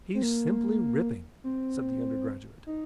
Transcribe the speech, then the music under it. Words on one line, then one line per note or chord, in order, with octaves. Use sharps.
"He's simply ripping!" said the undergraduate.
C4
A#3
C4
D#4